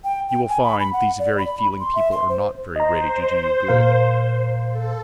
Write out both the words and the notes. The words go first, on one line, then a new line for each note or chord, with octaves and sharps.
You will find these very feeling people are not very ready to do you good.
G5
G5
G#5
B5
B5
F#5
D5
B5
C6
E5
C6
C5
C5 D#5 A#5
A#2 A#4 F5
A4